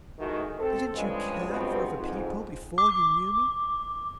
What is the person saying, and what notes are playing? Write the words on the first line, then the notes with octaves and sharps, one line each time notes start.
Didn't you care for other people before you knew me?
A2 D#3 E3 G#3 A3 F#4
C4 A4
G2 C#3 F3 G#3
G2 B2 F3 G#3 B3 C4
F2 G#2
D6